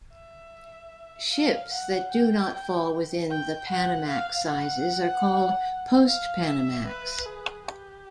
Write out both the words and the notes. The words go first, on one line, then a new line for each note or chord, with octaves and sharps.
Ships that do not fall within the Panamax-sizes are called "post-Panamax".
E5
F5
F#5
G5
G5
F#5
F5
F#5
F5
E5
B4
G#4
G4